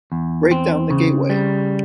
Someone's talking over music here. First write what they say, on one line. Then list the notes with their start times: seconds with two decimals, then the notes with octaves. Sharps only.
Break down the gateway!
0.12 E2
0.51 C4
0.90 C#3
1.30 G3